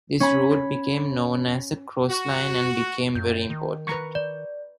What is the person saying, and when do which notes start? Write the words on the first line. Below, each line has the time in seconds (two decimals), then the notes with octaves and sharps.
This route became known as the "Crossline" and became very important.
0.20 C#4 B5
2.09 F#4
3.15 F#2 G6
3.50 D#3
3.87 B4 A#5 C#6
4.15 D5